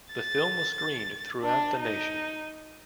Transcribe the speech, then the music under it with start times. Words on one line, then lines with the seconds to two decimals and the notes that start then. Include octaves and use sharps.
The film was screened throughout the nation.
0.13 A6
1.43 D4
1.79 D#4